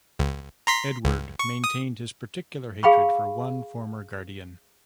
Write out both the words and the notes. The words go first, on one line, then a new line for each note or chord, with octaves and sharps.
Edward maintained his particular hatred for one former Guardian.
C#2
A#5 C6 B6
C#2
C#6
D#6
G#4 F5 G5 B5 C#6